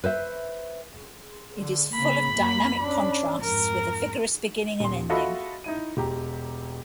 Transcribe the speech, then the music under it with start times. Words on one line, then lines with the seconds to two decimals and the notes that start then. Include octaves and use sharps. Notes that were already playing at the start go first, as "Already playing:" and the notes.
It is full of dynamic contrasts with a vigorous beginning and ending.
0.04 B4 C5 E5
1.59 D3
1.94 C#3 A#3 B5
2.33 F#2 A#3
2.81 C#4 D4
3.42 F2 G#2 A#4
4.80 D#1 C6
5.10 F4 F#4 A4 D#5 E5 B5
5.64 D#4 E4 D#7
5.97 E1 G4 A#5